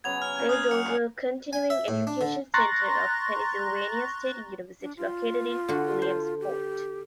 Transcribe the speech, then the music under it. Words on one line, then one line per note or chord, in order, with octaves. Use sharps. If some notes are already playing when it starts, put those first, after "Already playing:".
There is also a continuing education center of Pennsylvania State University located in Williamsport.
C#3 F#3 B3 G#6 F7
F6
C#3 G#5
C5 D#6 F6 F#6
F#3 C#7
A#2 G#3 C6
G#5
E5
A2
D4
D3
A#5 C6 C#6 F#6 A6 A#6
D4
F4
D3 F#4
C5
G4